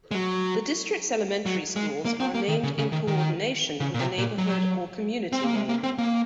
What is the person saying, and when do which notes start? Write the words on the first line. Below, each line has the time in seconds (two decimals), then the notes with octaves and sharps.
The district's elementary schools are named in coordination with the neighborhood or community name.
0.11 G#3
0.14 F#3
1.46 F#3
1.76 G#3
2.05 A#3
2.20 C4
2.34 A#3
2.48 D#3
2.63 C#3
2.78 C#3
2.92 D#3
3.07 D#3
3.80 C#3
3.94 A#2
3.99 C3
4.18 A#2
4.38 F#3
5.32 C4
5.44 A#3
5.55 G#3
5.69 A#3
5.83 C4
5.98 A#3